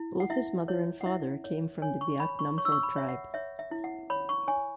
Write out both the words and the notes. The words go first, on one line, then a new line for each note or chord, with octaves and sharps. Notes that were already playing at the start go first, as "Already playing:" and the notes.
Both his mother and father came from the Biak Numfor tribe.
Already playing: E4
F#5
E4 E5
E4 C#5
F#5
E4 E5
C#5
C#5 G#5
C#6
C#5 B5
C#6
C#5 C#6
E6
C#6
B5
C#5 E5
F#5
C#5 E5
E5
E4
F#5
C#5 B5
C#6
C#5 G#5